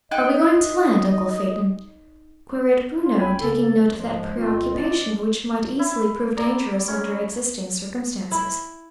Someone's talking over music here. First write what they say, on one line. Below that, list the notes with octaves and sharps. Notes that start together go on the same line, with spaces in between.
"Are we going to land, uncle Phaeton?" queried Bruno, taking note of that preoccupation, which might easily prove dangerous under existing circumstances.
D#4 D#5 G5 F#6
F4
C#2 C#4 G5 G#5 B5
C#3 A4
G#2 F3 G#3
C2 F2 A#2 G#3 C4 F4
F3 C#4 D4 E4 D5 D#5
E4
D5 A#5
C#4
E4